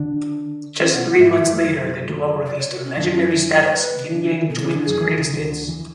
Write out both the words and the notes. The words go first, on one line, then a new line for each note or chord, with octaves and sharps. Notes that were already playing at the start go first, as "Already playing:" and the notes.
Just three months later, the duo released Legendary Status: Ying Yang Twins Greatest Hits.
Already playing: D3 D4
C#4
B2 B3 F#5
F#5
G#2 G#3 E5
F#2 F#3
D5
C#5
F#4
C#4
F#2 F#3 D4
C#4
D4
E4
B4
D3 D4
E3 E4
B2 B3 A4
C#3 C#4 G#4 A4
D3 D4
F#2 F#3 G#4
E2 E3
C#3
D2 D3
D2 D3
E2 E3